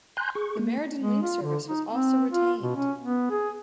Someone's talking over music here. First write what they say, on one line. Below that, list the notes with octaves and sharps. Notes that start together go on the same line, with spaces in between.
The MerredinLink service was also retained.
G#5 A#5 C6 F#6 G6
G#4 C#6
A#3
G#3
F4
D3
D#4
C4
F4
B2
C#4
B3
G#4